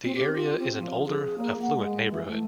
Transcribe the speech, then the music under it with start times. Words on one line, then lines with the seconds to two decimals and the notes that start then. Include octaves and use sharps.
The area is an older, affluent neighbourhood.
0.04 C4
0.15 G4
0.35 F4
0.59 C4
0.79 F3
1.06 G#4
1.38 A#3
1.62 F#5
1.75 G#3
2.11 E3
2.28 A3